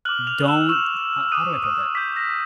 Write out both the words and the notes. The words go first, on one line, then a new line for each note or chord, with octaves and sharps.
don't" how how do I put that?
D6 F6 F#6 F#7
F6 F7
E6 E7
C#6 E6 F#6 E7
D6 D#6 F#6 D#7
D#6 D#7
D6 G6 B6
A#6